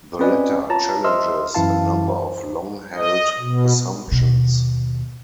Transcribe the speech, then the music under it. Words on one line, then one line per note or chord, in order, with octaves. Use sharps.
The Letter challenges a number of long-held assumptions.
C4 C#4 B4 D5 D#5 G#5
F4 C#5 A5 A#5
C5 D#5 E5 C6 E6 F6
F#2 E3 E4 F5 A5
C5
D#5
B2
D#2 B2